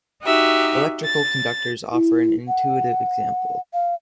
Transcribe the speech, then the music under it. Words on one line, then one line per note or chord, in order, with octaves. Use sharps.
Electrical conductors offer an intuitive example.
D#4 F#4 G4 E5
A6
E4
F#5
F5